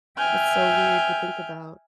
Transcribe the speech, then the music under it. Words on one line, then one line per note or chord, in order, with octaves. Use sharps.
It's so weird to think about.
E5 G5 G#5 F6 G6